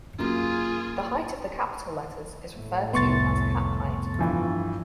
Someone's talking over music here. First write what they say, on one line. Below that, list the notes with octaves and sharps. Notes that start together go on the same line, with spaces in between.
The height of the capital letters is referred to as Cap height.
F#2 A#3 F4 G#4
A2 A3
C2 F2 B3 C6 C#6 A6
G2 E3 F3